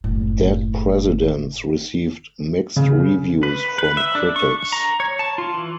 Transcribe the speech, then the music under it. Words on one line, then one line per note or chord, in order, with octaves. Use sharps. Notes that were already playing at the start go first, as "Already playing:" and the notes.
"Dead Presidents" received mixed reviews from critics.
F#1 A2
C#3
B4
B4
E5
D4
C#6
A#5
C#5
A5
F4
E3